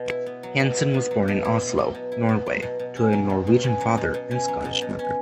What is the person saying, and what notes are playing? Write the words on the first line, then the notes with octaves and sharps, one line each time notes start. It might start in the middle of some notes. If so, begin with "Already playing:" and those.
Hansen was born in Oslo, Norway to a Norwegian father and Scottish mother.
Already playing: B2
E4
B3
F#3
B2
E4
B3
F#3
B2
E4
B3
F#3
B2
E4
B3
F#3
B2
B2
C#4
F#3
B2
B2
C#4
F#3
B2
B2
C#4
F#3
B2
B2
C#4